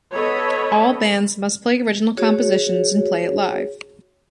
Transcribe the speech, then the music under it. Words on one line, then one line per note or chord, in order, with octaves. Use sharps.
All bands must play original compositions and play it live.
B3 A4 C#5 D#5 B5
F#4 G#4 C#5